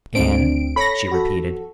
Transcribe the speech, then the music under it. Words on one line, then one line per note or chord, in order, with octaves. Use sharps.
"Dan?" she repeated.
D2 C4 D4 D7
A4 C#5 B5 A#6 C#7
F#4 A4